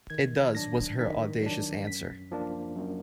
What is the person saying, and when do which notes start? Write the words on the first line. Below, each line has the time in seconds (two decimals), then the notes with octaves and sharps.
It does, was her audacious answer.
0.10 D#3 G#6
0.55 F#3 D4 A#6
0.99 D#3 B6
1.43 F#3 D4
1.87 F#2 B6
2.32 F3 A#3 D4
2.76 F#2